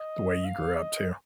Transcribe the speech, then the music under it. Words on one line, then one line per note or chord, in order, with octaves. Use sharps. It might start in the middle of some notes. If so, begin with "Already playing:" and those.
the way you grew up too,
Already playing: D#5
F5
D#5